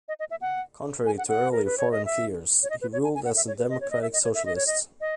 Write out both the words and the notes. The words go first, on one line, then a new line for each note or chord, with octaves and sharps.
Contrary to earlier foreign fears, he ruled as a democratic socialist.
D#5
D#5
E5
F#5
G#5
F#5
F#5
A#4
B4
C#5
D#5
E5
C#5
D#5
B4
C#5
G#5
G#5
F#5
E5
C#5
B4
D#5
C#5
D#5
E5
D#5
C#5
E5
D#5
C#5
D#5
D#5